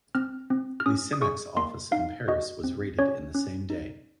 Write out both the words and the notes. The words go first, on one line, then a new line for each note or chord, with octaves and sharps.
The Simex office in Paris was raided in the same day.
C4 F6
C4
F6
C#4 D#6
D#6
G#4 C#6
A#3 C6
D#4 F5
F#4 D#5
C4
C#4 C#5
C#4
D#4